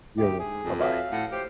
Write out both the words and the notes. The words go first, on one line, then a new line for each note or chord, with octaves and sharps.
Yeah, yeah. Bye-bye.
D2 G4 E5
G#2 G#4
F2
F#4 B4 C#5 E5 F5
A2 F#5
G4 C5